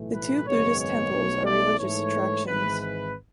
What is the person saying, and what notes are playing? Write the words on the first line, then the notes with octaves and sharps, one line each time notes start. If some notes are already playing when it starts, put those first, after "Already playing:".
The two Buddhist temples are religious attractions.
Already playing: B1 A2 E3 A3
B4
G#1 F#2 C#3 G#3 B3 C#5
C#5
B1 B2 A3
D5
G#2 E3 A3 C#5
G#1 G#2 E3 B4
B4